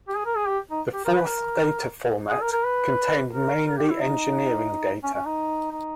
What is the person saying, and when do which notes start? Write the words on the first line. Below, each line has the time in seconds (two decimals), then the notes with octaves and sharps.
The fourth data format contained mainly engineering data.
0.08 G4
0.17 G#4
0.26 A#4
0.36 G#4
0.48 G4
0.71 D#4
0.93 G4
1.05 A#4
1.16 B4
1.27 A#4
2.29 G#4
2.41 A#4
2.52 A#4
2.64 B4
3.32 A#4
3.66 A#4
3.78 G4
3.90 E4
4.00 D#4
5.03 C#4
5.14 C#4
5.25 D#4
5.71 D#4